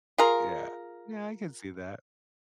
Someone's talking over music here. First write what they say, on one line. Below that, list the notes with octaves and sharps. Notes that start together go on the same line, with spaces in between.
Yeah. Yeah, I can see that.
F4 G#4 A#4